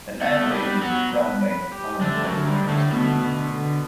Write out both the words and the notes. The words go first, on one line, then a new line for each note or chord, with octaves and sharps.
The library is run by its own Board of Trustees.
A3 B3 A4
G3 G4 B4
F#3 B3 F#4
B4
B4
G4
D3 A3 D4
F#2 F#3
D3
G2 G3
D3
A2 A3
B2 A3 B3
D3
D3